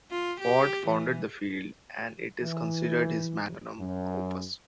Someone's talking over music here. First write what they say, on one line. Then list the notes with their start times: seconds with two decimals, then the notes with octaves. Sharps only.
Ford founded the field and it is considered his "magnum opus".
0.11 F4
0.40 G4
0.87 E3
2.42 E3
3.79 F#2